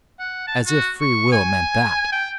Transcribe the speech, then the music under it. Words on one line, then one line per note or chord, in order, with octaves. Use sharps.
As if free will meant that!
F#5
A5
F#4
C#6
G#5
G5